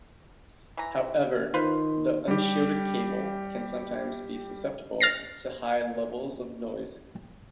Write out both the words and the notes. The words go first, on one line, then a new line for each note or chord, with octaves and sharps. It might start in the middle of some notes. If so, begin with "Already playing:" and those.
However, the unshielded cable can sometimes be susceptible to high levels of noise.
E3 A#5
D#3 F4 B4 C5
G3 G4
F6 A6 A#6 C7